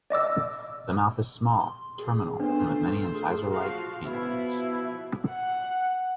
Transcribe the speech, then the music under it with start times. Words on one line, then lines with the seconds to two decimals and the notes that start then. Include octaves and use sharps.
The mouth is small, terminal and with many incisor-like canines.
0.10 D5 D#5 D6 E6
1.61 C6
1.99 G#4
2.40 A3 B3 D4 F4 B4 C5
3.15 G#4
3.50 F3 F#4 F5
4.06 B2 F3 E4
5.29 F#5